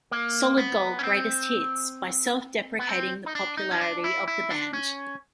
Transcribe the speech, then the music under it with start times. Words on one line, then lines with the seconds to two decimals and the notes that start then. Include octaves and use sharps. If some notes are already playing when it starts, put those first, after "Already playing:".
"Solid Gold - Greatest Hits" by self-deprecating the popularity of the band.
0.11 A#3
0.57 B3
0.99 C#4
1.03 C4
2.79 B3
2.89 C4
3.26 D#4
3.35 D4
3.57 D#4
3.71 C#4
3.81 D4
4.04 E4
4.28 E4
4.50 D4
4.73 C#4